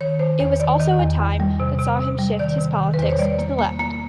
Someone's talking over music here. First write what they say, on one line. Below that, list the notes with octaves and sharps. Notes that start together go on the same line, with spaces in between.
It was also a time that saw him shift his politics to the left.
D#3 C#5
D#3 C5
E2 C#5
D#3 D5
D#3 D#5
E2
E2
G3
C3
C3
C3
G3
D#3 D5
C3
D#3
B4
E2 C5
C#5
G3 D5
A#3
A#3
A#3